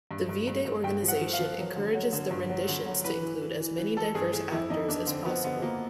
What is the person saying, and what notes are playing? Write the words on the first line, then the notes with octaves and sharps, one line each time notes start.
The V-Day organization encourages the renditions to include as many diverse actors as possible.
G2
G2
G2
G2
G2 G5
F3
F#5
F3
F5
F3
F#3
D3
F#3
D3
G2
F#3
D3
F#3
E3 B4
E3
E3
E3
E3
E3 A4
G2 G#4
E3 G#4
F2 E4
F2 D#4
F2 D4
D3 C4
F3 B3
D3 B3
F3 A#3